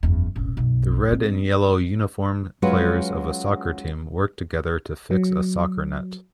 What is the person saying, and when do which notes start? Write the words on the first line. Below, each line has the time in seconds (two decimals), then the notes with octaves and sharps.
The red and yellow uniformed players of a soccer team work together to fix a soccer net.
0.03 F#1 E2
0.36 E1 A1
0.57 B1 F#2
1.08 G#3 C4
2.62 F#3 G#3 C#4 F4 F#4 B4
5.11 F#3